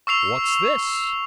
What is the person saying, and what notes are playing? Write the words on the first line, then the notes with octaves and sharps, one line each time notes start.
"What's this?"
C#6 E6 C7 F7